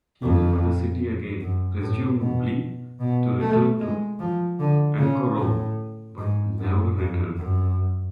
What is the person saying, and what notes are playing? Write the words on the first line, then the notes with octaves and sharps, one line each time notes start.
He left the city again, presumably to return to Anchorome, but never returned.
F2
F#2
A2
B2
B2
A3
G#3
F3
D3
C#3
A2
G#2
F#2
F2
F#2